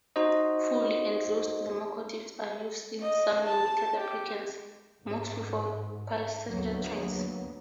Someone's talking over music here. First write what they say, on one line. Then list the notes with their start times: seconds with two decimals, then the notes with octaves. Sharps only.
Fully enclosed locomotives are used in some limited applications, mostly for passenger trains.
0.16 D#4 F#4 C5 D#5
3.02 D#5
3.45 A5
3.98 G4
5.01 G#2
6.48 D2 F#3 A#3 B3